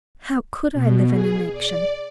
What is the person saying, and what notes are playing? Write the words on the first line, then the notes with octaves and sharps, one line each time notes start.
How could I live in inaction?
B2
G#4
D5